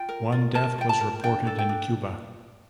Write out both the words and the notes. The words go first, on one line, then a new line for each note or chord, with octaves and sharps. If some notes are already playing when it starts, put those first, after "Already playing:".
One death was reported in Cuba.
Already playing: F4 G5
A#4
F4
A#4 A5
F4 G5
A5
A#4
D4 G5
A4
G5
D4